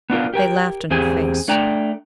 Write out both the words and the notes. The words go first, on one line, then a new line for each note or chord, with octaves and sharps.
They laughed in her face.
B3 D4 F4 A#4
G4 A#4 G5
E2 C4 G4 G#4 G#5
A3 D4 D5 G5 A#5